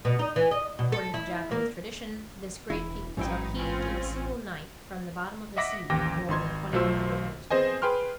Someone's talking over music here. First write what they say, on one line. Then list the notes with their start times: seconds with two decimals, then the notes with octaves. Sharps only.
According to Japanese tradition this great peak was upheaved in a single night from the bottom of the sea, more than twenty-one hundred years ago.
0.05 B2
0.19 D#4
0.36 E3
0.51 D#5
0.79 B2
0.92 A4
1.14 E4
1.51 A#3
2.70 E1 E4
3.17 A1 G#2 F#3 D#4 E4 G5
3.58 C4 C#4 F4
5.57 D#5 E5 F#5 D6 A#6 B6
5.90 A1 D#2 G5 D6 A#6
6.28 G#1 D#4 C6 G#6
6.73 B1 F#3 A3 F4 C5 E6
7.50 B3 C4 G#4 C5 D#5 G#5
7.82 G#4 B4 G5 C6 F6